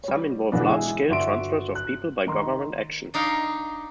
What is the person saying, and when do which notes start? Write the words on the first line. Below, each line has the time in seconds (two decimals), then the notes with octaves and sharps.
Some involved large-scale transfers of people by government action.
0.04 G3 C#5
0.52 B2 D3 E3 B3 D4
0.65 G#3 E4 G#4
1.09 G1 F#4 D5 E5 C6 D7
1.75 F#6
2.27 D#3 A#5 C6
3.14 D4 D#4 F5 G5